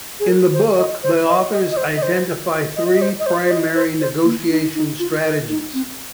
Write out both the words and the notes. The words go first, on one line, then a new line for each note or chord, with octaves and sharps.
In the book, the authors identify three primary negotiation strategies.
G#4
A#4
C5
D#5
C5
D#5
D#5
D#5
C5
D#5
C5
D#5
D#5
C5
D#5
C5
C5
D#5
C5
C5
A#3
D#4
D#4
F4
A#4
D#4
C4